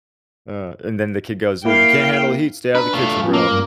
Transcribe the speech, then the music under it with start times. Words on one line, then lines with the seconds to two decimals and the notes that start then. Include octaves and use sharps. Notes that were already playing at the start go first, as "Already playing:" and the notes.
Uh, and then the kid goes, "if you can't handle the heat, stay out of the kitchen, bro."
1.65 A#3 E4 F5 G5
2.75 D4 B4 A#5 E6
2.94 A3 F4
3.22 A2 F3 B3 C#4 F4 G#5
3.33 A#3 A5
3.50 G2